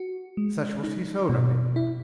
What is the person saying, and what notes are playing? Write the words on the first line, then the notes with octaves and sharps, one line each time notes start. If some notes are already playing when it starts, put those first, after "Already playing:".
Such was his own opinion.
Already playing: F#4
G#3
D#4
B2
E4